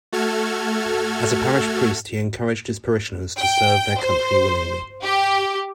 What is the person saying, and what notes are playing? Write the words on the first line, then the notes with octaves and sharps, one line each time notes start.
As parish priest, he encouraged his parishioners to serve their country willingly.
A3 F#4 A4 F6 G#6
G5
C5
G4